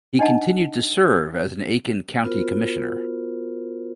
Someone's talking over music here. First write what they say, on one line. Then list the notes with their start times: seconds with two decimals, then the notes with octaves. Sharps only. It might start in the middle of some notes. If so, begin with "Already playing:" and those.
He continued to serve as an Aiken County commissioner.
0.19 D4 D#4 D#5 F#5 A5
2.24 B3 F4 F#4 A#4 C5